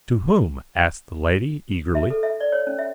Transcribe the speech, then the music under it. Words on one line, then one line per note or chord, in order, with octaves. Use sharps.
"To whom?" asked the lady, eagerly.
E5
A4
E5
D5
C#5
C#4
E5